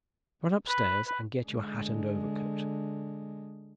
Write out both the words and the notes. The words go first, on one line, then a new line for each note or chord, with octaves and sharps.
"Run upstairs and get your hat and overcoat."
B4
B4
D3 G#3